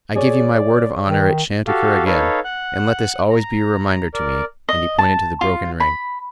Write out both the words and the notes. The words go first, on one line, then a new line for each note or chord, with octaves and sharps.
"I give you my word of honor it shan't occur again, and let this always be a reminder to me," and he pointed to the broken ring.
G#4 C#5 D5
D#3
F#4 G4 A4 F5
D#4 A4 B4 C#5 F5
F#5 F#6
A#5
A#4 D5
D#5
A5
F4
B5